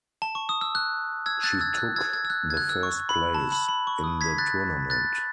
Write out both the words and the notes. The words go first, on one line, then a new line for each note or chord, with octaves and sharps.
She took the first place in the tournament.
A5
C#6
D#6
E6
F#6
E6 G#6
F#6 A6
E6 G#6
E6
F#6
E6 G#6
E6 G#6
E6
F#6
G#6
F#6
E6
C#6
B5
A5
B5
B5
C#6
D#6
G#6 B6
F#6 A6
F#6 A6